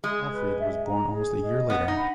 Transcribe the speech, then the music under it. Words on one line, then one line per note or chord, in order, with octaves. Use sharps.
Alfried was born almost a year later.
G#3 G#4
B4
E5
A#5
G#4
D#5
B3 F#5
D#4
B5